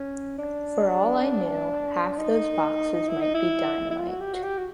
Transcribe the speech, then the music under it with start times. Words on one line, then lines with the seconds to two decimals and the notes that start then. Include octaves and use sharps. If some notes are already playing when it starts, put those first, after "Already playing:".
For all I knew half those boxes might be dynamite.
Already playing: C#4
0.38 D4
2.18 D#4
3.08 E4
3.21 D#4
3.34 E4
3.90 E4
3.98 F4
4.09 F#4
4.20 G4
4.33 F#4
4.43 G4
4.58 F#4